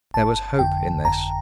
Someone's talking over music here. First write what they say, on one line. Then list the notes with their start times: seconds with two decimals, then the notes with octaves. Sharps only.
There was hope in this.
0.14 G1 A5
0.59 F2 D3 G5
1.04 G1 A#5